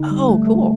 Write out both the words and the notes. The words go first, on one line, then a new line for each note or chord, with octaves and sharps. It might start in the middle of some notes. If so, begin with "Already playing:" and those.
Oh, cool.
Already playing: D3 D#4
G3
A3
A3